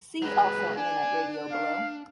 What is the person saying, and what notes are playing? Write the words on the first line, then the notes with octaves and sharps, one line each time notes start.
See also Internet radio below.
F#3 G#3 B4
D4 G#5
F5